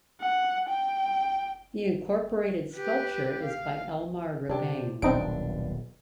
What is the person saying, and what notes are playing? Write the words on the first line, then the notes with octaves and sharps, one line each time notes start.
The incorporated sculpture is by Elmar Rebane.
F#5
G5
G4 B4
F5
C3 D4 G4
D#1 B1 C4 D4 D#4 D7